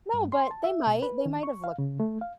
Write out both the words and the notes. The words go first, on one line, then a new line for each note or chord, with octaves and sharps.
No, but they might they might’ve look
G2
C6
A5
E5
B2
B4
D#3
C#6
F5
C#3
A3
F5